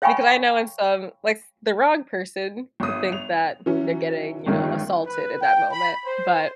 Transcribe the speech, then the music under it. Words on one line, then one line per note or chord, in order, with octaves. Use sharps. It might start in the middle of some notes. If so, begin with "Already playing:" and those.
because I know in some, like, s the wrong person could think that they're getting, you know, assaulted in that moment, but
C#5 F5 G5 G#5 B5 C#6
G1 D#6
F7
E3 F#3 C#4
G1 C#2 G2 D#3
B4
G5
B5
C5